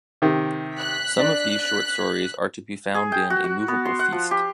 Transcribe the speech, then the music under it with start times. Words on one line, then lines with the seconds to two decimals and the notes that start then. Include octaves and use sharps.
Some of these short stories are to be found in "A moveable feast".
0.22 C3 D#3
0.77 F#6 B6
1.19 D4
2.95 G#4
3.12 G5
3.30 F#4
3.44 F#4
3.68 B3
3.85 C6
3.99 F#5
4.12 F3
4.31 G4